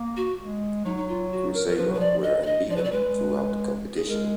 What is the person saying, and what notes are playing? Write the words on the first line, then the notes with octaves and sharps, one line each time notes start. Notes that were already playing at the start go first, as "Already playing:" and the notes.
Cruzeiro were unbeaten throughout the competition.
Already playing: A#3
F#4
G#3
F#3 D#4
D#4
F4
F#4
A#4
A#4
F3 B4
F#3
B4
F3 D5
D#5
D5
D#5
F3 D5
B4
F#3 D5
G#3 B4
G#3
G#4
G#3 A#4